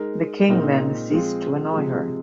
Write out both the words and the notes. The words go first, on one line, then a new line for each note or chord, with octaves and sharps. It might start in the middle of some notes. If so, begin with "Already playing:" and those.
The king then ceased to annoy her.
Already playing: G#3 D#4 A#4
A#2 G#3 C4 D#4 A#4
F3 G#3 C4 F4
C3 F3 G#3